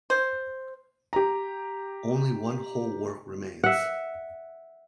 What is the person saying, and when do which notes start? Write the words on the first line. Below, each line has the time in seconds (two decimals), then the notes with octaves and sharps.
Only one whole work remains.
0.10 C5
1.13 G4 A#5
3.64 E5 F#5